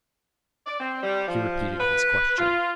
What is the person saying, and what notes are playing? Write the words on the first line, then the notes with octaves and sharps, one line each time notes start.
He repeated his question.
D5
C4
G3
F3
B4
F4